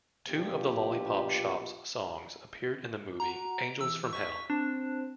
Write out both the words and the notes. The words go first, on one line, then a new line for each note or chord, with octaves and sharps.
Two of The Lollipop Shoppe's songs appeared in the movie, "Angels from Hell".
A#1 B2 D4 F4 G4
F#4 A#5
E3 E6
C#6 B6
C4 D4